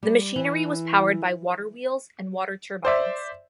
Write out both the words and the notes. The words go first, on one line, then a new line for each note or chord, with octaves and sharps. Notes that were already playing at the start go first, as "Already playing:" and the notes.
The machinery was powered by water wheels and water turbines.
G3
E3
C5 D5 E5